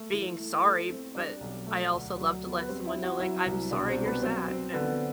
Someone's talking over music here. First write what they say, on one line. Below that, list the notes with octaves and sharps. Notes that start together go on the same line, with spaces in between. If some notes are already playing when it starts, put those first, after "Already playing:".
being sorry, but I also love to let someone know, like, "I'm sorry you're sad," and
Already playing: A3
E3
A3
A3 A4
C4
G3 D4 D5
B1
A3
D2
F#3
B3
B4
G3 C4 C5
E4 E5
C4
F#4 F#5
F#3 E4 E5
C2
B2 D4 D5
C4 C5
G3
B3 B4
F#3 C4 C5
C4
D3 B3 B4